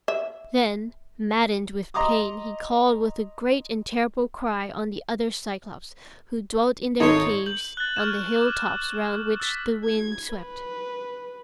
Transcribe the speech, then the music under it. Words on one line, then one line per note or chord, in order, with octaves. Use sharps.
Then, maddened with pain, he called with a great and terrible cry on the other Cyclopes, who dwelt in their caves on the hill-tops round which the wind swept.
E5
D#5 A#5 C6 D6 D#6
G#1 D#4 F4 A4 C#5 C6
G6 F#7
F#6 A6
C#6 F6 G#6 A6 E7
D6
E6 A6 B6
G#6
B4